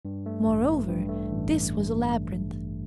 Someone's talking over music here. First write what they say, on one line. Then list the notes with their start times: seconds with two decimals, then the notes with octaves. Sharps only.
Moreover, this was a labyrinth.
0.05 G2
0.26 A3
0.46 A1
0.68 E3
0.88 G2
1.09 A3
1.31 A1